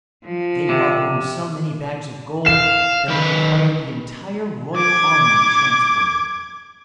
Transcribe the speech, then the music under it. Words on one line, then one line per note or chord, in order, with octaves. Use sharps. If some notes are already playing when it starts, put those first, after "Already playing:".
They brought home so many bags of gold that it required the entire royal army to transport it.
F3
C3
F5 E7
D#3 B4
D6 G#6